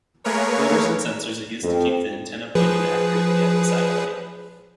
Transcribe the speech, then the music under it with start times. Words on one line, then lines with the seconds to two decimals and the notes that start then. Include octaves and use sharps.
Motors and sensors are used to keep the antenna pointed accurately at the satellite.
0.24 A3 A#3 G#4 A#4 B4 C#5
1.62 F2
2.55 F3 G#4 B4